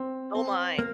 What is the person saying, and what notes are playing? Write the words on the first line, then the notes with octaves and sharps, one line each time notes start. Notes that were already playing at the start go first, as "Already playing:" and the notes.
Oh my.
Already playing: C4
C4
A#3